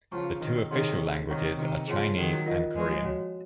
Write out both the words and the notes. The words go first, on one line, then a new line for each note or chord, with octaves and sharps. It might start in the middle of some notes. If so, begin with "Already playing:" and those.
The two official languages are Chinese and Korean.
C#3 F3 C#5 F#5 A#5 C#6
C3 D#3
C3 D#3 D#4 G#4 C#5 F#5 C6
C3 D#3 C#5 F#5 A#5 C#6
C3 D#3
C#3 F3 G#4 C#5 F#5 C6
D#3 F#3
F4 A#4 D#5 F#5
F3 G#3
F#4 C#5 F#5